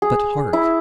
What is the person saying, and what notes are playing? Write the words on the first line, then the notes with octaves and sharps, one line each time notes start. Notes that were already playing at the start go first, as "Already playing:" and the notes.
But, hark!
G#4
E4